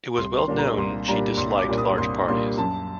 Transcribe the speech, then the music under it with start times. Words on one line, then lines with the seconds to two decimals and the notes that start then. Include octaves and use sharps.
It was well known she disliked large parties.
0.17 C2 C6
0.38 C6
0.48 A#2 G3 A#3 D4
0.58 A#5
0.77 C2 C6
1.08 A#2 G3 A#3 D4 A#5
1.37 C2 C6
1.58 D6
1.67 A#2 G3 A#3 D4
1.78 D#6
1.98 C2 C6
2.28 A#2 G3 A#3 D4 C6
2.57 F#2 A5